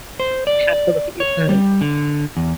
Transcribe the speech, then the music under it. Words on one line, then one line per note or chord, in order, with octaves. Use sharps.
you have to look at your phone?
C5
D5
C#5
G3
D3
E2